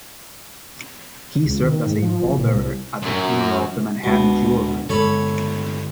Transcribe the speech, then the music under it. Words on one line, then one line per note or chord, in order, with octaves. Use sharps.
He served as a pall-bearer at the funeral of the Manhattan jeweler.
C#2
D#3
G#2
F3
F#1
A#2
C2
F#2 F#3
D1 B2 G#3 D4
G2 D3 G#3 A4 C#5 B5